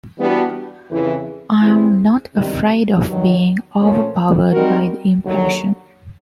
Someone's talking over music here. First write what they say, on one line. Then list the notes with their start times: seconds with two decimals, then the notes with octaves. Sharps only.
I am not afraid of being overpowered by the impression.
0.17 E3 G3 B3 D4 F#4
0.89 F2 C#3 E3
1.62 E3 G3 C4 E4 G#4
2.35 C3 D#3 G3
3.07 G2 D#3 F#3
3.79 A#2 F3 A3 C#4
4.51 G3 C4 D#4 F#4 A#4
5.24 D#2 D3 F#3